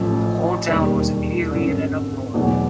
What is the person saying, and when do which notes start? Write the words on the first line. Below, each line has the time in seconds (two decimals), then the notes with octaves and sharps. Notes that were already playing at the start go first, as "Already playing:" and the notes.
The whole town was immediately in an uproar.
Already playing: A1 A2 F3 E6
0.68 E1 D#2 D#3 G3
1.51 G#1 F#2 D3 E6
2.34 E2 B2 F#3